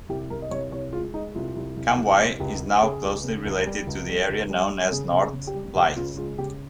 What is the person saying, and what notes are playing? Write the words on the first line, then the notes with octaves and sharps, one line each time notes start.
Cambois is now closely related to the area known as North Blyth.
C2 G4
C2 A#4
D#5
C2 C#5
C2 C#5
G#3 F4
G#3 D#4
C2 F4
C2
C2
C2
C2
C#2 G4
C#2
C#3 G#4
C#2
C#3
C#2
G3
C#2
G3
C#2
G3
G3
C#3 G#4
C#3
G#4
C#3
G4
G3
C#2 G4
C#3 F4
G#3 F4
C#3 G4